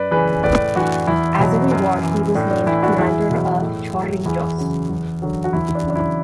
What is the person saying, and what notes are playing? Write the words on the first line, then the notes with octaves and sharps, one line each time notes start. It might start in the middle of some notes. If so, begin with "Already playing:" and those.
As a reward, he was named Commander of Chorrillos.
Already playing: F#2 B4 D5
C#3 E3 G#4 B4
A2 B4 D5
E3 D4 F#4
E2 E4
B2 F#3
F#2
E3
A2 D4
D4
E3 E4
D4 F#4
E2 E4 G#4
B2 F#3
A2
F#3
E2 E4 G#4
C#3 F#3
E2
D3 F#3
F#4
E2 E4
D4
C#3 F#3 D4
E4